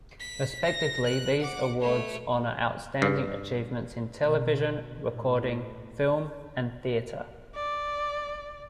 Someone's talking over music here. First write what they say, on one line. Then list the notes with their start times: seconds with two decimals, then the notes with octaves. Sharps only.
Respectively, these awards honor outstanding achievements in television, recording, film, and theater.
0.20 B6
0.64 A#6
1.06 F#6
1.39 F#5 D6
1.80 A3 C#5
3.02 G2
4.20 B2
5.09 A2
7.55 D5